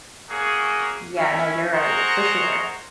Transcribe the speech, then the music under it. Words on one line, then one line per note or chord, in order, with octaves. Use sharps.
Yeah, no, you're right, for sure.
A#3 C#4 F#4 G#4
C#4 E4
G#4 A#4 C5 F#5 A#5 C#6